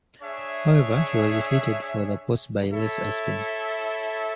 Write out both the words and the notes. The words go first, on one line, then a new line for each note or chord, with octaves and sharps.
However, he was defeated for the post by Les Aspin.
D4 G#4 C#5 E5
E4 A4 C#5 E5